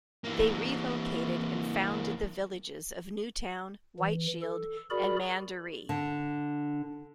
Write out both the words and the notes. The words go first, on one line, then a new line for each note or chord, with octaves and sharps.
They relocated and founded the villages of New Town, White Shield, and Mandaree.
E3 A#3
E3
A4
F#4 G#4 A#4 D5 B5
D3